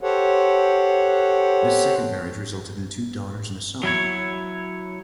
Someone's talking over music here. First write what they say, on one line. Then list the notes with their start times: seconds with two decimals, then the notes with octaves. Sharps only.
This second marriage resulted in two daughters and a son.
0.01 G4 A4 C5 C#5 F#5
3.83 F#3 E4 C#5